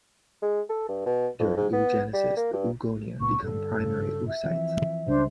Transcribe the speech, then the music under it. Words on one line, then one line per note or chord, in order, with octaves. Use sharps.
During oogenesis, the oogonia become primary oocytes.
G#3
A4
G2
B2
F2
G#2
B3
G3
A#3
G2
C#2 A#2 B3 C#6
G2 D3 A4
G2 C#3
E5
E3 F3 C4
C#2 C#3 G3 D4 C5